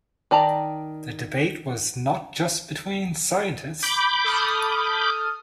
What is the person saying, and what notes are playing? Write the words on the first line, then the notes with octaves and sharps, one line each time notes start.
The debate was not just between scientists.
D#3 D5 A5 A#5
B5 D6 G6
A4 D#6 F6